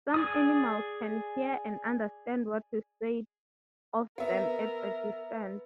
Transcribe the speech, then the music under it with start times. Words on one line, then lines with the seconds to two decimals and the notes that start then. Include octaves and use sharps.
Some animals can hear and understand what is said of them at a distance.
0.14 G#4 D5 D#6
4.18 B3 A#4 E5